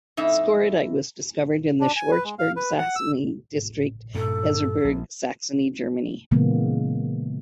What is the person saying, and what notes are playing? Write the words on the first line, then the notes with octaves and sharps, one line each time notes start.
Scorodite was discovered in the Schwarzenberg, Saxony district, Erzgebirge, Saxony, Germany.
F2 A2 D#4 E5
D4
G#5
B4
G#3
F5
B4
F#5
E6
G2 A#2 A4
A#1
A#2 C#3 E3 G#3 A#3 B3